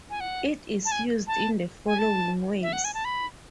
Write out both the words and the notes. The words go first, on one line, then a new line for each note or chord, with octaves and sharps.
It is used in the following ways.
G#5
F#5
A5
G#5
A5
G#5
A5
E5
F#5
G#5
A5
B5